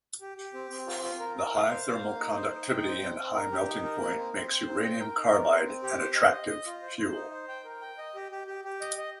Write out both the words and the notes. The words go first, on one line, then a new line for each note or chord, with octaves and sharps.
The high thermal conductivity and high melting point makes uranium carbide an attractive fuel.
G4
G4
C4
C4
F4
F4
A#4
A#4
F5
C5
F5
A#3
D#4
C5
D#4
G5
C4
C4
C4
A#4
G4
D#4
A#4
A#3
C4
C4
C5
C4
G5
A#4
D#4
A#4
C4
C4
G4
C5
D#5
D#5
D#5
F4
C5
C5
D#4
C5
G5
A#4
G5
D#5
G4
G4
G4
G4
D#5
D#5